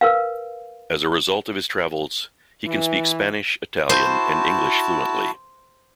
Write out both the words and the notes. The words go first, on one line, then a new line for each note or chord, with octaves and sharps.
As a result of his travels, he can speak Spanish, Italian and English fluently.
A#4 B4 F5
E3
E4 F#4 C5 A5